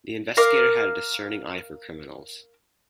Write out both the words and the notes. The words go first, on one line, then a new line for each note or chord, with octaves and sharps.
The investigator had a discerning eye for criminals.
A#4 F5 D6